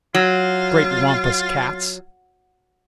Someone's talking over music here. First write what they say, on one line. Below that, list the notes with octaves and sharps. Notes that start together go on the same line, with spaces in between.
Great Wampus Cats!
F#3 F4